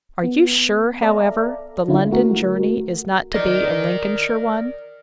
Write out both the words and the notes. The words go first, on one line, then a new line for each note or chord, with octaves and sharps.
Are you sure, however, the London journey is not to be a Lincolnshire one?
B3
A4 D5 E5 F5 A#5
D3 C#4 E4 F4
A3 F#4 A#4
A#4 D5 D#5